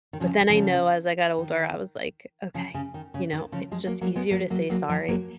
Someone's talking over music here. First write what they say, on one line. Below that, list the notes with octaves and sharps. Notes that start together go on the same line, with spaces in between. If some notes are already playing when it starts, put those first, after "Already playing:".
But then I know as I got older, I was like, "Okay, you know, it's just easier to say sorry."
D#3
C#3 F3
C#3 F3
D#3
C#3 F3
C#3
D#3
C#3
D#3
C#3 F3
F3 G#3
F#3 A#3
F#3 A#3
G#3 B3
F#3 A#3
F#3 A#3
F#3 A#3
F3 G#3
F#3 A#3